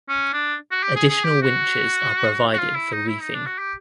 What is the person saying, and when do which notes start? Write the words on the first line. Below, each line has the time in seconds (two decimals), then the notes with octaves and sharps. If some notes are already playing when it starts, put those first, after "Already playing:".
Additional winches are provided for reefing.
0.09 C#4
0.33 D4
0.71 F#4
0.83 G4
0.96 G#4
1.09 G#4
1.24 G4
1.42 F#4
2.54 F#4
2.58 F4
2.75 E4
2.92 D#4
3.09 E4
3.21 D#4
3.34 D4
3.46 F#4
3.59 G4